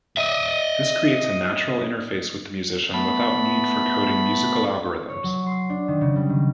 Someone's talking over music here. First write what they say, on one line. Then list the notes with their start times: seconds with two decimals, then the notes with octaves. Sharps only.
This creates a natural interface with the musician without need for coding musical algorithms.
0.17 D#5 E5
2.94 A3 B3 B5
5.09 C#5
5.24 F#3
5.46 C6
5.70 D4
5.88 D#3
6.01 C#3
6.16 G3
6.29 D#3